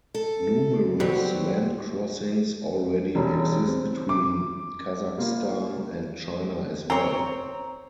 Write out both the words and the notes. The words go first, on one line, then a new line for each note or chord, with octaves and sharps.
Numerous land crossings already exist between Kazakhstan and China as well.
A4
B2 F#3 G3 C4
E1 B2 G3 C#4
C4
D6
G3 A#3 F4
C4 C#5 A#5